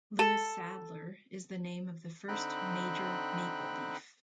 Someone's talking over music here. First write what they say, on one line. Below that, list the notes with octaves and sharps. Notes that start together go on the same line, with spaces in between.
Louis Sadler is the name of the first Major Mapleleaf.
A4
D3 C4 D#4 G5 B5 F#6